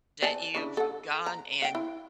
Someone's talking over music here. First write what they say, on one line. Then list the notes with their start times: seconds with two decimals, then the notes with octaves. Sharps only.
that you've gone and,
0.22 D5 G#5 A5
0.54 C#3 D4 E4
0.77 A4 F#5
1.26 A#5
1.62 F5 G5
1.75 E4